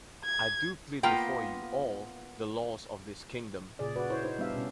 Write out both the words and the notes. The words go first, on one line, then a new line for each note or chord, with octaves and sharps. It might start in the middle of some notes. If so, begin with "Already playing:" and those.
I do plead before you all the laws of this kingdom.
G#6
A#3 B3 F4 G5
A#2 C#3 G#4 D5
F#4 B4 D5
E4 C5 C#5
D#4 C5
G3 B3 D4 G4 E5 F5
B2 C#4